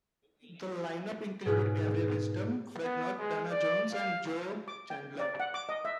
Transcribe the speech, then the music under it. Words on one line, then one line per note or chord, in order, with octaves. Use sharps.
The lineup included Gabriel Wisdom, Fred Nurk, Dana Jones, and Joe Chandler.
G#2 B2 F4 G#4 B4
B3
G#3
D5
F5
D6
G5
D5
F#5
D6
D#5
E5